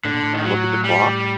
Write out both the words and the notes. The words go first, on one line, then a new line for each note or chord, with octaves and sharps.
Look at the clock?
A2 D3
A#2
A2
D#3
F#3
G3